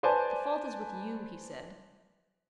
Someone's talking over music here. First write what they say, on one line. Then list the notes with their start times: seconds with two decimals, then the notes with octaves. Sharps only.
"The fault is with you," he said.
0.03 B4 C5 D5 G#5 A5